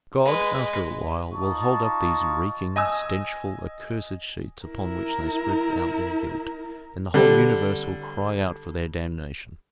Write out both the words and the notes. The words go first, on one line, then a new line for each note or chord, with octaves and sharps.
God, after a while, will hold up these reeking, stenchful, accursed sheets, upon which they spread out their guilt, and the whole universe will cry out for their damnation.
G#3 B4
D#4 F4 A5 C#6
D#5 G#5 D#6 E6
E4 A#4
D3 G3